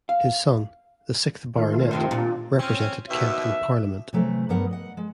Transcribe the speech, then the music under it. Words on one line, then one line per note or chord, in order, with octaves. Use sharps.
His son, the sixth Baronet, represented Kent in Parliament.
F5
D#3 A3 F4
G2 C3 F3
A#2 D4
C4 C#4
D#2 B2 E5
C3 E3 F#3 A3
G2 F#3 B3 A#4 F#5
D#5 F#5
G#3